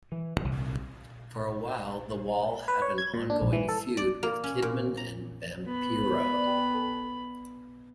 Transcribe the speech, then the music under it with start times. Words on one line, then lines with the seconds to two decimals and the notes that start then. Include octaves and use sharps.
For a while The Wall had an ongoing feud with Kidman and Vampiro.
0.12 E3
0.45 C2
2.68 B4
2.82 C#5
2.98 G#6
3.14 A#2
3.30 D4
3.41 A#1
3.53 E3
3.69 A4
3.97 D5
4.23 A#3
4.44 C#4
4.62 A#2
4.97 A#5
5.66 B3 B5